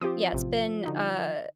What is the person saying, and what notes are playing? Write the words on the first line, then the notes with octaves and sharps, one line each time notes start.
yeah, it's been, uh
F3 C4 F4 G4 D#6
A1 C3
D3 D#4 F#4